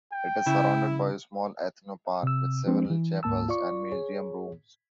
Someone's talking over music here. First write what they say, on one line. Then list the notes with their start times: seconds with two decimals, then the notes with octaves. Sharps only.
It is surrounded by a small ethno-park with several chapels and museum rooms.
0.13 G5
0.46 C#3 E4
2.23 C3 E6
2.66 F3 G#3 C4 D4
2.90 E3
3.23 D2 G#2 A#3 A5 E6
3.49 F4 D5 C#6
3.92 G#4 C#5